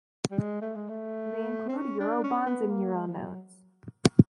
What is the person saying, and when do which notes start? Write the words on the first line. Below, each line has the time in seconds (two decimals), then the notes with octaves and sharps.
They include eurobonds and euronotes.
0.31 G3
0.39 G#3
0.61 A3
0.75 G#3
0.89 A3
1.69 C4
1.77 C#4
2.00 D4
2.24 C#4
2.46 B3
2.69 A#3
2.92 G#3
3.08 F3
3.15 F#3